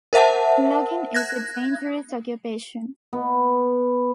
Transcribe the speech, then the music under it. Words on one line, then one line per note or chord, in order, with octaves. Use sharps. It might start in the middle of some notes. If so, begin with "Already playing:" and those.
Logging is a dangerous occupation.
A#4 C5 E5 F#5 A5
F#6 G#6 A#6
B3